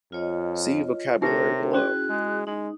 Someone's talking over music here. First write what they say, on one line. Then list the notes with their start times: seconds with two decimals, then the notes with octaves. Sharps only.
See Vocabulary below.
0.12 F2 F4 C#5 D#5
1.22 C3 D#4 G4 A#4 B4 C#5 A#6
1.74 C#4 E4 F#4 G#4 C6 F#6
2.10 G#3
2.47 G#3 D#4